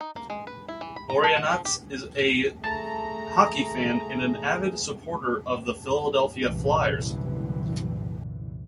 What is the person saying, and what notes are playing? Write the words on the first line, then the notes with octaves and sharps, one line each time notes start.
Boreanaz is a hockey fan and an avid supporter of the Philadelphia Flyers.
D#4
A#3
G#3
B4
E4
E3
B5
A#5
A4
F#5
F3
G4
A3 G#4 A5 A#5
C2 F#2 A#2 D3 E3